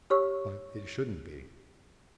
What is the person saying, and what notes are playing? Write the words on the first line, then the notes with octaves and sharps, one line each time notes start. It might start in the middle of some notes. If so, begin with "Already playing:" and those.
But it shouldn't be.
G4 C#5 C#6 E6